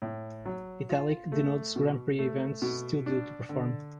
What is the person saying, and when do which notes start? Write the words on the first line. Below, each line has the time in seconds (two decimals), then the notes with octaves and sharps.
Italic denotes Grand Prix events still due to perform.
0.02 A2
0.45 F#3
0.89 F4
1.32 A3
1.76 B2
2.19 A3
2.62 B2
3.06 D4
3.49 D3